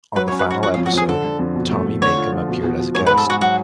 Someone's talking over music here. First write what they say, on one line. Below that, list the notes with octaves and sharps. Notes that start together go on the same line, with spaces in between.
On the final episode, Tommy Makem appeared as a guest.
F#3 B4
C#5
C#4
B4
C#4 F#4
F3 F#4
F4
F2
F#4
F2 G#4
D3 A4
D3
F2
B2
A3
A3
D3 C#5
F4
F3
B2
B2
B2
G#2 C#5
B4
G#2
A4
G#2 F#4
F#3 F#4